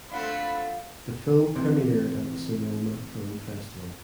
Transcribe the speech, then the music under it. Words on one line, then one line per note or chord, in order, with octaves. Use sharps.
The film premiered at the Sonoma Film Festival.
A3 C4 D4 F4 F#5 B5
C3 E3